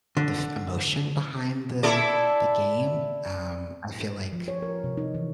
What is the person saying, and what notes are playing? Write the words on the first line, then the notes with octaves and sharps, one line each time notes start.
the f emotion behind the the game. Um, I feel like,
D3
E4 A4 D5
F3
C#5
A#4
C3
D#4
E3